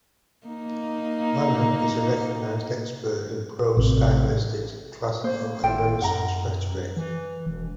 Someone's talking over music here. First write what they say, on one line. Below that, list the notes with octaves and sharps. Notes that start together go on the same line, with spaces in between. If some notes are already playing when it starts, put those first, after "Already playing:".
Lanham is a recognized expert in prose stylistics and Classical and Renaissance rhetoric.
A#3 D#4
A1 C3
A#3 C5
G#1 E4 F4 G5
F#2 F#5 A#5
E3
E1